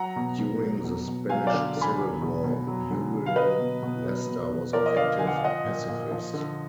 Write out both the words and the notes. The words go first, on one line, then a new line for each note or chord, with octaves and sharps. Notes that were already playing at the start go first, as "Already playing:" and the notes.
During the Spanish Civil War Muriel Lester was an active pacifist.
Already playing: F#3 F#5 A#5
B2
B2
F#3
B2
B2
F#3 F5 G#5
D5 F5
D3
D3
G#5 B5
F#3
B2
B2
F#3
D3
D3
F5
F#3 B4 D#5
B2
B2
F#3
B2
B2
F3 A#4 D5
D#5
D3 D5 F5
D3 G#5
F#5
F5
F3 D#5 F#5
A#2
A#2
F3
D3